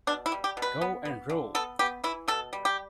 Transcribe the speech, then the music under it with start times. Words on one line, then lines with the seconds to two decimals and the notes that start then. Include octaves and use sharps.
Go and rule!
0.07 B2 D4
0.26 E4
0.32 G3
0.44 G4
0.57 B2
0.62 B4
0.81 B3
1.05 B3
1.30 D3
1.55 B3 A4
1.79 B3 G4
2.04 E3 E4
2.28 B2 A4
2.53 G3
2.65 G4